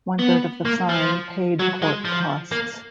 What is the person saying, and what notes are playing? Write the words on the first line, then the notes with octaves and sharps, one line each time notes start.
One-third of the fine paid court costs.
B3
A#3
F3
F#3
G#3
F3
A#3